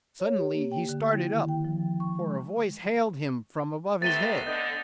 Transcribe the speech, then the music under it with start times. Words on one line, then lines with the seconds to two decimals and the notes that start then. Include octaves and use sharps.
Suddenly he started up, for a voice hailed him from above his head.
0.20 C#5
0.37 G4
0.54 A#3
0.72 G5
0.89 D3
1.13 E4
1.30 D#3
1.48 G5
1.65 F3
2.00 C#6
2.19 G#3
4.02 C3 A3 B3 A6 D#7 G7
4.47 D3 D#5 G6